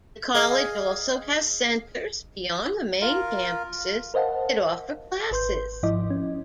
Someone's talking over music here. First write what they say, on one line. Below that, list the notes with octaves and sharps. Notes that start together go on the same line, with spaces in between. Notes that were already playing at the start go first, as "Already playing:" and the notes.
The college also has centers, beyond the main campuses, that offer classes.
G#4 D#5 F5
F4 A#4
A#4 C5 D#5 F5 F#5 A5
G#1 B4 C6 G6
G#2 F3 E4 D#5 D6
C#4